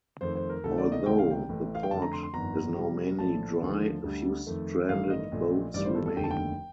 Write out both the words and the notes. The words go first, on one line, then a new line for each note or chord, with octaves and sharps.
Although the port is now mainly dry, a few stranded boats remain.
F2 D#3 A3 C5
C5
A#4
D2 C3 D#3 A3 A4
D5
D#5
C2 C3 D#3 A3 G5
F5
G5
A1 A2 A3
F5
G5
F2 D3 A3 A5
A#5
C6
C6
G1 F2 D#3 A#5
F2 C3 G3
A#1 A2 F3 A3 A5
D#2 D3 F3 A3
D2 D3 G3
F2 D#3 A3
A1 G2 D#3 A3 F5
D#5
A#1 A#2 A3
A1 G2 D#3 G3 D5
C5
A4
A4
F1 D#2 D3 A3 G5
A5
G5